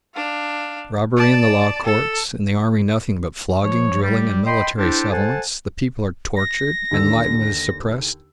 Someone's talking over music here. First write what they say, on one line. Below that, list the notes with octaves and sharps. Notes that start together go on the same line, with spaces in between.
Robbery in the law courts, in the army nothing but flogging, drilling, and Military Settlements; the people are tortured, enlightenment is suppressed.
D4 F5
D5 A5
A4
F3 C#5
G3
D#5 G5 B5 C6
D4 E4 G4 A4 C5
A4 C5 F#5 G#5 A5
A#6
D#2 D3 E6